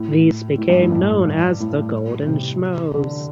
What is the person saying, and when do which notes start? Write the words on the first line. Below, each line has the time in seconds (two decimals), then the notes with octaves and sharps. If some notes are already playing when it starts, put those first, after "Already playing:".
These became known as "The Golden Schmoes".
Already playing: A2
0.58 A2
0.70 G2
0.81 A2
0.92 G2
1.60 A2
2.27 C3
2.95 D3